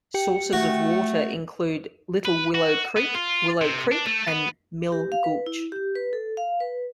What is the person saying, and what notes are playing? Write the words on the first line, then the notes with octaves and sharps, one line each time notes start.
Sources of water include Little Willow Creek, Willow Creek and Mill Gulch.
G4 G5 C#7
A3 F#4
B4
F#4
B3
F4
C3
D4
A3
B3
G4
F5
B4
E4
G4
B4
A4
F5
B4